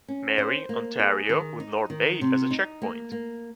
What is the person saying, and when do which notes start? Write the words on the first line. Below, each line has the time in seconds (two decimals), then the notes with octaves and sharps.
Marie, Ontario, with North Bay as a checkpoint.
0.08 C#4
0.38 C5
0.69 A#3
1.00 G#4
1.29 D#3
1.60 D#4
1.90 D#3
2.21 C3
2.51 D#4
2.82 A#3
3.12 A#3